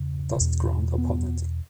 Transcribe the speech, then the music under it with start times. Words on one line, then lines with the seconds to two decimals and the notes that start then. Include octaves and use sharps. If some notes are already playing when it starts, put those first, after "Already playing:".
Dust ground upon it.
Already playing: E2 C#3
0.36 E2 B2
0.98 B3